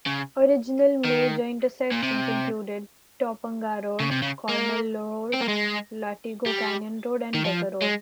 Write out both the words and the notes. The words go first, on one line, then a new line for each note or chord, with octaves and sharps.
Original major intersections included Topanga Road, Cornell Road, Latigo Canyon Road, and Decker Road.
C#3
D#3
A#2
C3
C#3
C3
C#3
A#3
C4
A#3
G#3
G3
D#3
F3
G#3